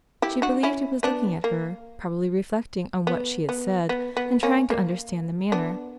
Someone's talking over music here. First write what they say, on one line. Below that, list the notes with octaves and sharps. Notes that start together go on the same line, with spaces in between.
She believed he was looking at her; probably reflecting on what she had said, and trying to understand the manner.
E4 G4
D4 F#4
C#4 E4
B3 D4
A#3
B3
B3
B3
B3
A#3 C#4
A#3
B3 D4